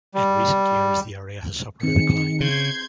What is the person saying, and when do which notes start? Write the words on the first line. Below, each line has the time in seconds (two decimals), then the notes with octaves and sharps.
In recent years the area has suffered a decline.
0.14 G3
1.83 D#3 C4 G#4 C#7
2.41 C#3 C6 G6 G#6